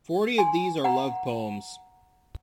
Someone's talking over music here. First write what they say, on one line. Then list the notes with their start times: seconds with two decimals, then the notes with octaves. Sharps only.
Forty of these are love poems.
0.38 G#5 C6
0.84 F#5 A#5